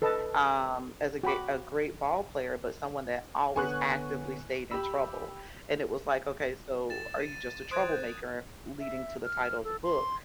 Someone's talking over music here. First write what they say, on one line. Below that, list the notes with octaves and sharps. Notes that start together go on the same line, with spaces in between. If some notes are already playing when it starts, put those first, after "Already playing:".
um, as a ge a great ball player, but someone that always actively stayed in trouble. And it was like, "Okay, so are you just a troublemaker," leading to the title of the book.
A4 B4 D#5 A5
F#4 G5 B5 D6
D3 B3 C#5 G#5 C#6 F#6
G4 B5 E6
A6 E7
D#7
C5 C6 D#6 F#6 G#6 D7
G6
E5
F6
A4
C6